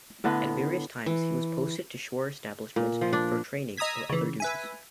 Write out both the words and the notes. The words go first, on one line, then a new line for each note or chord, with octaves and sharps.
At various times he was posted to shore establishments for training or other duties.
A2 D3 B3 D#5
E3
A#2
F3
D4
D#5 A#5 D#6 E6 G#6 B6
C#3 E3
B4 E5 G#5